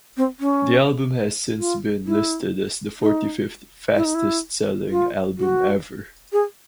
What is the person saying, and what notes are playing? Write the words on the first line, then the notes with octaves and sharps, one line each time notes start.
The album has since been listed as the forty fifth fastest-selling album ever.
C4
C#4
F4
E4
D#4
E4
D#4
E4
F4
F#4
G#4